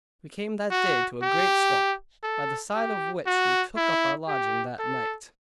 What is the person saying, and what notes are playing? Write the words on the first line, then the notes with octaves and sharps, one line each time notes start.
We came that day to a great swamp, by the side of which we took up our lodging that night.
F#4
G4
A4
G4
F#4
E4
G4
A4